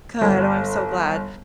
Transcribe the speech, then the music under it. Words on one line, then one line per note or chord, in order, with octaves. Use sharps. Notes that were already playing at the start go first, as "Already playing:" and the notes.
Good. Oh, I'm so glad.
G1